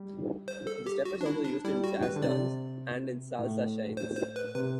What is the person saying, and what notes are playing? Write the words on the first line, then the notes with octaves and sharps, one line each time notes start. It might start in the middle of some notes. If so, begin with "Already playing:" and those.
The step is also used in jazz dance, and in Salsa shines.
Already playing: G3
C5
A4
G4
F#4
D4
E4
D4
G3 E4
F#4
B4
D3
C3 D5
A2
C5
C5
B4
C3 B4